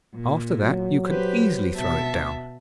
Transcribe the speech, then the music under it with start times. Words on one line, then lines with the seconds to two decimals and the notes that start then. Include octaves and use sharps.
After that you can easily throw it down.'
0.15 A#2
0.60 F#3
1.07 G4 B4 C5
1.75 B2 E5 A5